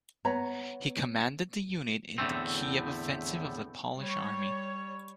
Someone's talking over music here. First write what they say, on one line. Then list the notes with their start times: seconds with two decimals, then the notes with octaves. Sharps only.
He commanded the unit in the Kiev Offensive of the Polish Army.
0.25 B3 C#5 A#5
2.18 E2 A2 D3 A3 C4
3.99 G3 C#5